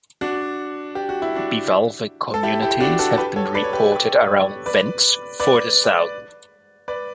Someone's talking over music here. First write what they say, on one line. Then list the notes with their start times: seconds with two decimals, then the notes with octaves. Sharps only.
Bivalve communities have been reported around vents further south.
0.21 D4 F#4
0.95 G4
1.09 F#4
1.22 E4
1.35 D4 F#4
2.34 A4
2.43 E4 G4
2.62 E4 G4
2.80 D4 F#4
2.99 F#4 A4
3.18 G4 B4
3.36 A4 C#5
3.54 B4 D5
3.64 C#5
3.73 G4 B4
3.92 G4 B4
4.66 B4 D5
5.40 B4 D5
6.88 B4 D5